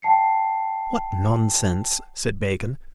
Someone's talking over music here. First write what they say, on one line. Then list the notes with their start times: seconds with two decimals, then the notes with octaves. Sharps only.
"What nonsense," said Bacon.
0.02 F#5 G5 A5 C7 C#7